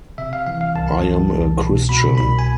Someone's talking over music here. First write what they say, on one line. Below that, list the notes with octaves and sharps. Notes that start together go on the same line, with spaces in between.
I am a christian.
C3 E5
F5
E3 F5
F5
C2 A5
E3
C2
B2
B2 B5
C2 B5
G#5